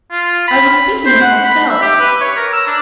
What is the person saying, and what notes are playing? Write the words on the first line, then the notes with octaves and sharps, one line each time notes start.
"I was speaking of myself."
F4
B5
C5
F#5
B5
E5
G4
B4
C#5
A#4
E6
D4